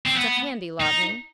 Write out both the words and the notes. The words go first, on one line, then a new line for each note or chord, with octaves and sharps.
It's a handy lodging.
C4
B3
D#4